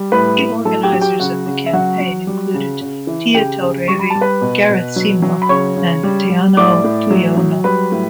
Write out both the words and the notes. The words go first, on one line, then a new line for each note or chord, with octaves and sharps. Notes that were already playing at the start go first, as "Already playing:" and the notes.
Key organisers of the campaign included Tia Taurere, Gareth Seymour and Teanau Tuiono.
Already playing: G3
A2 B4 B5
A2
F#3 A4 A5
G4 G5
F#3
G4 G5
C#3 F#4 F#5
C#3
E5
F#3 F#4 F#5
F#3
G3
C#3
C#3
E3
C#3 G4 G5
C#3
G3 C#6
B5
G3 A5
B4 B5
B2
B2
F#3
F#3
B5
C#3 C#5 C#6
C#3
G3
G3
A2 D5 D6
A2
F#3
F#3
G3 B4 B5
A2